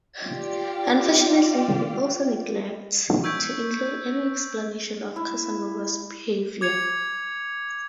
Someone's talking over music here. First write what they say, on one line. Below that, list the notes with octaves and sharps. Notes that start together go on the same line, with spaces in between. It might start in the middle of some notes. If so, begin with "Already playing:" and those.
Unfortunately, he also neglects to include any explanation of Casanova's behavior.
F4 G4 D5
C#6 E6 G6 G#6 B6 D7
E4
D6 G#6 C#7 F7